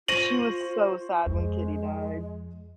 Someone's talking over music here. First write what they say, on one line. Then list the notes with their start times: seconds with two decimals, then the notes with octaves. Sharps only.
She was so sad when Kitty died.
0.08 F4 C5 C#6 A#6 D#7 F#7
1.26 F2 G#3